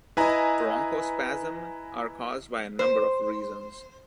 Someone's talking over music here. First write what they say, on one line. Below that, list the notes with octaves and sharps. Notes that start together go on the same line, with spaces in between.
Bronchospasm are caused by a number of reasons.
E4 B4 D#5 G#5 A#5
C5